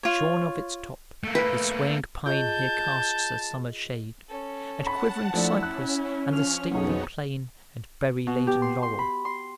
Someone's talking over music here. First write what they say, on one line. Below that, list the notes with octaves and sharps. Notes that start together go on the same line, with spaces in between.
Shorn of its top, the swaying pine here casts a summer shade And quivering cypress, and the stately plane And berry-laden laurel.
F4 C#5
A3 A#3
B4
F4 G#4 D#5 A5 G6
C#4 A4
F#5 A5 B5
F3 A3 D4 E4
C#4 F#6
F3 F6
B1 F2 F#3 B3 D#4 G#4 C#5
B2
G4
C6
C6
B5
C6